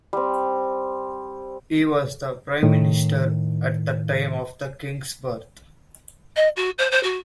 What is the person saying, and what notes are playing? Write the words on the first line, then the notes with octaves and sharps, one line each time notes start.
He was Prime Minister at the time of the King's birth.
G3 C4
A2 D#3
D#5
F#4
C5
C5
F#4